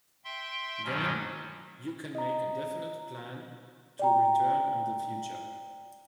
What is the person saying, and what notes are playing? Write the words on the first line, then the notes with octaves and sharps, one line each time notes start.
Then, you can make a definite plan to return in the future.
E5 G5 C6
G2 B2 D#3 F#3 C#4
D#5 A#5
D5 G5 A#5